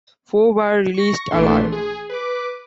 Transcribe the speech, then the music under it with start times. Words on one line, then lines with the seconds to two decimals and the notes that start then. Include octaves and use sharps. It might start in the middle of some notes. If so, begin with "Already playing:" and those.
Four were released alive.
0.94 C#6 A#6
1.31 A#1 E3 A3 D4 C6
1.72 G#4
2.09 B4 D6